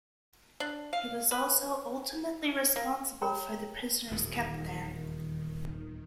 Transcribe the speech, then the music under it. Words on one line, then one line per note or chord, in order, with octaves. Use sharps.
He was also ultimately responsible for the prisoners kept there.
D4
F5
B4
A#3
A4 A#4 C#5 G5 A#5
D#1 E2 A2 D#3